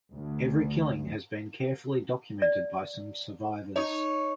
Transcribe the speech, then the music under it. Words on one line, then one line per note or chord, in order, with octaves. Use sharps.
Every killing has been carefully documented by some survivors.
D2
D5
D#4 C#5